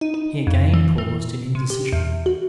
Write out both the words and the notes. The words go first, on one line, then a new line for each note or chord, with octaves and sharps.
He again paused in indecision.
D#4
D#4
F2
E3
E3
C3
G4
E2
F#4